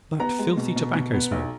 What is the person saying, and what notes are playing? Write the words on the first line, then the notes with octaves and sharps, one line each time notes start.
That filthy tobacco-smoke!
B3 A#5
G#3
B2
B2
B2
B3
B1